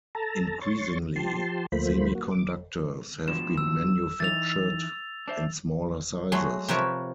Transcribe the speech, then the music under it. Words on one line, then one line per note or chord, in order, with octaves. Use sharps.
Increasingly, semiconductors have been manufactured in smaller sizes.
A4 A5 A#5
C#5 C6 C#6 A6
F3 G4 A5 C6
D2 F3 A3 A#3 C5 B5
A#3 F#4
D6
G2 B2 F3 E7
E6
E3 D#4 A6 F7
D4 C5 E5
F#3 G#3 A3 D#5
C3 F3 A#4 B4 C#5 A5